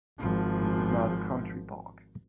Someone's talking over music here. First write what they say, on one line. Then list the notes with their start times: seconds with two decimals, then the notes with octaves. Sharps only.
This is now the Country Park.
0.18 G#1 F3